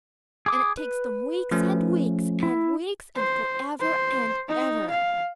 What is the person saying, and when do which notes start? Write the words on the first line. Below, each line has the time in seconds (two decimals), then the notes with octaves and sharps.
And it takes them weeks and weeks and weeks, and for ever and ever.
0.46 G#4 D6 D#6
0.77 B4
1.51 F3 A3 C#4
2.43 E4
3.17 C5
3.80 C5
4.48 D#4
4.90 F5